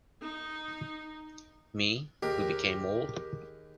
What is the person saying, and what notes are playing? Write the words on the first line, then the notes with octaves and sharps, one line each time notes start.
Me, who became old...
D#4
D#2 G4 G#4 A#4